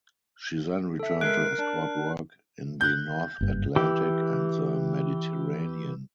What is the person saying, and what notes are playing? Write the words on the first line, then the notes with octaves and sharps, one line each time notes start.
She then returned to escort work in the North Atlantic and the Mediterranean.
A4 E5
G#3 A#4 F#6 C7 D7
D4
F#6 G6
F#1 G2
E3 G4